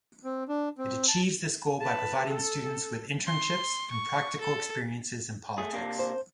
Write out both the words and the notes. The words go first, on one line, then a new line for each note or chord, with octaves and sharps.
It achieves this goal by providing students with internships and practical experiences in politics.
C4
D4
C4
A5
B4 A5
A4
C6
C#6
A4
A3 G#4
C3 A#3 D4
C5